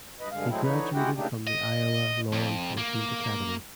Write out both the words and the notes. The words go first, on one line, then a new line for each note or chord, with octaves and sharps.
He graduated from the Iowa Law Enforcement Academy.
G2 B4 D#5
G2 D3 G#3 F5
F#3 G#3 A3 C4 E4
D3 E3 D#4 B4 C#5
G#3 E4 F#4 G4 F#5 G5
A#2 C#3 A3 D4 D#4 G4
D#5
F2
A#3